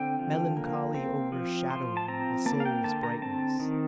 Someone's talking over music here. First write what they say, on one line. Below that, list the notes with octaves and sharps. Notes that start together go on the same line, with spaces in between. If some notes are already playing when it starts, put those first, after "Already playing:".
Melancholy overshadowing of a soul's brightness!
Already playing: D3 C4 G5
F3
A#3
C4
F3
F3 C6
A5
C4 A#5
A#3 A5
F5
G5
D3 A5
A#5
C4 A5
D#3